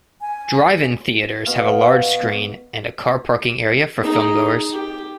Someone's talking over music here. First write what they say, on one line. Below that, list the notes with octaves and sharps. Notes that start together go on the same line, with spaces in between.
Drive-in theaters have a large screen and a car parking area for film-goers.
G#5
B2 F5
D#4 G#4
G4